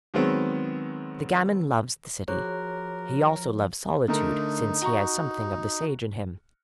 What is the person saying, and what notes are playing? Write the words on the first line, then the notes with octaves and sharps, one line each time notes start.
The gamin loves the city, he also loves solitude, since he has something of the sage in him.
D#3 F#3 G#3 B3 C4
F3 F#4 G#4 A#4 C#5 F#6
D3 A3 D#4 A#4
F#4 A#5 C#6